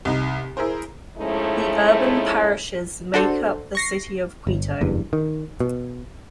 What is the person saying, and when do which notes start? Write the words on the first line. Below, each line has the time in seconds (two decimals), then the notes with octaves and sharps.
The urban parishes make up the city of Quito.
0.05 C2 D#4
0.57 E4 G#4 A#4 C5
1.18 F3 G#3 A3 C#4 D#4 E4
3.14 D4 F#4 A4 C5
3.75 C#6 A#6 C7
4.47 G1
4.81 F#1 E2 G2
5.13 D#3
5.60 B2